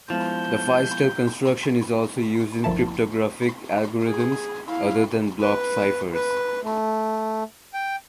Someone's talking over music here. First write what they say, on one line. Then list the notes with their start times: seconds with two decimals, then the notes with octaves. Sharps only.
The Feistel construction is also used in cryptographic algorithms other than block ciphers.
0.10 F3 G#3 B3 E4 G6
2.64 G1 D2 F3 A#3 E4 A5
4.07 G#4
4.67 E4 F5
5.42 B4
6.14 B4
6.64 A3
7.74 G5